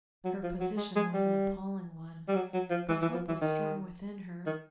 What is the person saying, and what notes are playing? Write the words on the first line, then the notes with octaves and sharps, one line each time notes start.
Her position was an appalling one, but hope was strong within her.
F#3
F3
F#3
G#3
G#3
G3
G3
F#3
F#3
F3
E3
E3
F3
E3
D#3
D#3